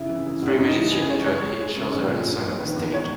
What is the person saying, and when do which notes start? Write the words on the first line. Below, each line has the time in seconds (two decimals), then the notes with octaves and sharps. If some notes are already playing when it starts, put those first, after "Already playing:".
Three musicians join each other in song on a stage.
Already playing: C#3 E4
0.09 E3
0.26 C#3
0.42 E1
0.48 C#4
0.58 C#2 D#4
0.76 E3
0.92 C#3 G#4
1.09 G#3 C#5
1.26 G#3 C#5
1.42 G#3
1.59 G#3
1.76 C#3
1.93 A#1
2.10 A#2
2.26 A#1
2.43 A#1
2.60 D#3 B4
2.76 E2
2.93 G#3 C#5